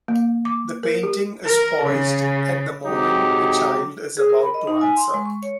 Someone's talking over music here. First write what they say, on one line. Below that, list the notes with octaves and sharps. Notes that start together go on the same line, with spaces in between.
The painting is poised at the moment the child is about to answer.
A#3
D6
A#4
G4
A#4
C#3
C3 F#3 G#3 D#4 G4
G#4
A#4
B5
D#5
D#4
G#5
C6
G#3
C#6
C#5